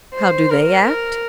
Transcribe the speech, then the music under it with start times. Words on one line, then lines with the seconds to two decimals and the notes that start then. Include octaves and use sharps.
How do they act?
0.15 C5
0.50 A#4
0.85 A#4